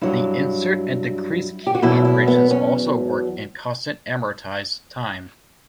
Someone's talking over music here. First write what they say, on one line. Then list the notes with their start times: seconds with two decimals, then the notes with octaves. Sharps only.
The insert and decrease key operations also work in constant amortized time.
0.01 G2 F#3 E4
1.67 G4
1.75 F#4
1.82 E2 B2 F#3 E4
2.05 E4
2.28 B3
2.51 C#4